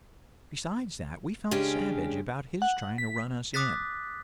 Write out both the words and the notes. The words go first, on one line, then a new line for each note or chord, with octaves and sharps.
Besides that, we felt savage about his trying to run us in.
C#3 G#3 C#4 D4 G4
F#5
B6
D6 D#6 F#6 A6 B6